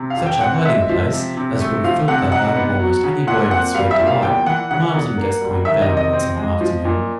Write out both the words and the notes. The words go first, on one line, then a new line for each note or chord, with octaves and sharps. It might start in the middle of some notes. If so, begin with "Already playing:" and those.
Such a hiding-place as would have filled the heart of almost any boy with sweet delight Myles and Gascoyne found one summer afternoon.
Already playing: C3
F5
F2
G5
C4 F#5
G#3 E5
F3
C3
C3
A3
F3 F5
C3 F#5
D#4 F#5
B3
F#3
C#3
A#2 F#5
C4 F#5
G3 F5
E5
A#2
F5
E2 G5
E3 F#5
C#3 F#5
E2
A#3
G3
D#3 E5
D#5
C3
D#5
C4
G#3
F3
A#2